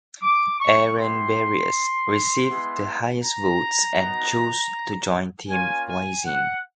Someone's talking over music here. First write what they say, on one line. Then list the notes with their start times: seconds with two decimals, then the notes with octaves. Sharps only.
Aaron Barrios received the highest votes and chose to join Team Wisin.
0.22 D6
0.60 C#6
0.97 B3 E4 G4 C6
2.48 G#3 B3 E4
3.23 A#5
3.98 B3 D#4 F#4
5.48 A#3 C#4 F4 G#5
5.87 G#5
6.24 F#5